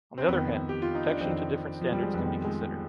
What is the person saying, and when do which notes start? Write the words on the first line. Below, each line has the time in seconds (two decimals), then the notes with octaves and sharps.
On the other hand, protection to different standards can be considered.
0.18 C4
0.28 F2 D#3 B3
0.69 G4
0.82 F4
0.95 D#4
1.08 D4
1.21 F2 D#3 C4
1.81 F3
1.92 G3
2.02 G#3
2.14 F2 D#3 B3
2.45 G#3